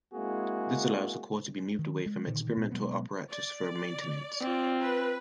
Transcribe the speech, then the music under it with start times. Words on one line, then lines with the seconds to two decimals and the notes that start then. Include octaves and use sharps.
This allows the core to be moved away from experimental apparatus for maintenance.
0.13 G#3 A#3 C4 E4 F#4 G#4
1.79 D#3
2.06 G#3
2.27 A#2 D3 D#3
2.56 A1 A#2 B3
2.72 B2 F#3 G#3 B3
3.30 D5
4.40 C4 F4
4.81 B4